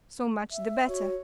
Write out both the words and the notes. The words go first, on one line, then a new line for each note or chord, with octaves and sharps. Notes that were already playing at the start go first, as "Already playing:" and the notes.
'So much the better.'
E5
F#4 C#5